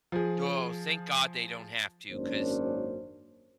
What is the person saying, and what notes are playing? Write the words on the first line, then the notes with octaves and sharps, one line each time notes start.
Duh, thank God they don't have to 'cause
F3 G#4
G#1 F#2 A#3 C#4 D4 C5